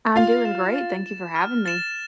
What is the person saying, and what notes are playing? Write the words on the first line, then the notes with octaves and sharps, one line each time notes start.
I'm doing great. Thank you for having me.
F4 F5 A6
E7
A6
E7
F6
A6 E7